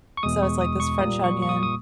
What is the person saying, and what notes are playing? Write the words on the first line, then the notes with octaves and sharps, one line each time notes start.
So it's like this French onion
C#6
E2 B2 G#3 D#6
C#6
D#6
C#6
A#2 G3 A#3 D#6
C#6
C#6
D#6
D#6